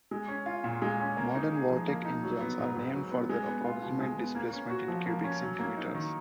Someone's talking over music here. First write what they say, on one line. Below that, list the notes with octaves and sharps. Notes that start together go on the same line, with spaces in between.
Modern Vortec engines are named for their approximate displacement in cubic centimetres.
G#3
C#4
F4
A#2
G#3
C#4
A#3
D#4
G#4
F3
A#3
D#4
F#3
B3
G#2
G#2
F#3
B3
G#3
B3
F4
B2
G#3
B3
A#3
C#4
F#4
F3
A#3
C#4
F#3
A#3
D#4
D#3